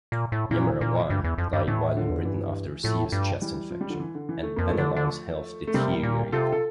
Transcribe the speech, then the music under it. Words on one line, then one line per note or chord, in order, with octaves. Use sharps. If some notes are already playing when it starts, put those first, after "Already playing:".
Yemmerrawanne died while in Britain after a serious chest infection, and Bennelong's health deteriorated.
A#2
A2
A#2 E3
A#2
G2
E2
F2
G2
A2 E3
D3 F3
E2
F2
G2 E3
A2 F3 A3
G2
E3 G3
F3
G3
D3 F3
E3
D3
E3
A3
F2 A#3
F3 A3
D3
D3
A3
C3 G3 A#3
A#2
C3 F4 A4
A4